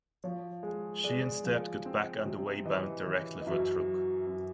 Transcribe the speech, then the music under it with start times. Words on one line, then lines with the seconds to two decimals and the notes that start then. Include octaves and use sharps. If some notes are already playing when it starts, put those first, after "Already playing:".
She instead got back underway bound directly for Truk.
0.24 F3 C#5
0.63 G#3
1.04 G#3 D5
1.44 F3
1.85 C4
2.26 C3
2.65 E3 D#5
3.06 E3
3.41 D#5
3.47 F#2 E5
3.86 F#3
4.27 F#2